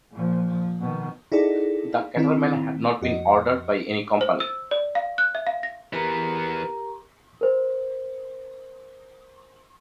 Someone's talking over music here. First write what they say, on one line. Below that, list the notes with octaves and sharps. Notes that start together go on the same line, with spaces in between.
The catamaran had not been ordered by any company.
A#2 F3
B2 D#3
D#4 E4 F#4 G#4 A4 D5
D#3 C4 E4
F2 F#4 D#5
C5
E6
D5
F5
F#6
E5
F5
A#6
E3 B3 G4 A#4 A#5
A#4 C5